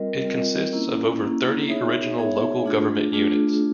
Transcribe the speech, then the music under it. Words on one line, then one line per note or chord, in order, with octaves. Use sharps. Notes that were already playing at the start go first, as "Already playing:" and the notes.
It consists of over thirty original local government units.
Already playing: G3 C4 F4 A#4 D#5
G3 C4 F4 A#4 D#5
A#3 C#4 E4
A#3 C#4 E4
B3 D#4 G#4 C#5 E5
B3 D#4 G#4 C#5 E5
A3 D4 F4 G#4
A3 D4 F4 G#4